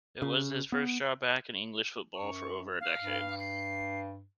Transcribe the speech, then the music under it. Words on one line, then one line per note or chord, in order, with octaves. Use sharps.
It was his first job back in English football for over a decade.
C#3
B3
F#2 C#6
F5
G2
C7